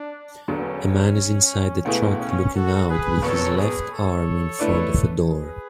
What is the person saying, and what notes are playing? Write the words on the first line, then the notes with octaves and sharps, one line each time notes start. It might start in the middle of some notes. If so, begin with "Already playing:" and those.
A man is inside a truck looking out with his left arm in front of a door.
Already playing: D4
E1 E2 D3 F#3 B3 C#4
C#2 B2 A3 B3 E4 G#4
C#4
F#4 A4
G#4 B4
F#1 E2 B2 A4 C#5
G#4 B4
A4 C#5
D3 A3 E4 B4 D5
G#4 B4